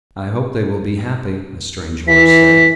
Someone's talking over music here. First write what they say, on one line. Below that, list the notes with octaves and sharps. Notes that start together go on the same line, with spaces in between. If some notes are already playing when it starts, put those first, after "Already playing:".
"I hope they will be happy," a strange voice said.
E3 B6